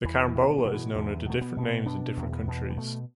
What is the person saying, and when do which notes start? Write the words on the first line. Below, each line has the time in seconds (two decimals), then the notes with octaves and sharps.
The carambola is known under different names in different countries.
0.04 E2 E3
0.28 E3
0.35 B2
0.50 D3
0.58 E3
0.65 B2 D3
0.73 E3
0.95 E2 D3
1.26 B2 A3
1.41 B3
1.57 B2
1.64 B3
1.86 B2 D4
2.17 E2
2.32 B3
2.47 B2
2.70 G3
2.77 B2 A3